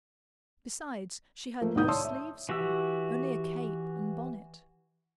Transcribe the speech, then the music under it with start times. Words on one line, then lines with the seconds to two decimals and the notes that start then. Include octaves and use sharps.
Besides, she had no sleeves on,--only a cape and bonnet.
1.61 F3 A3 A#3
1.75 C2 A2 D#3 D#4 D#6 G6
1.88 C#5 D5 A5 C6 D#6 E6
2.04 E5
2.49 E3 F#4 G4 E6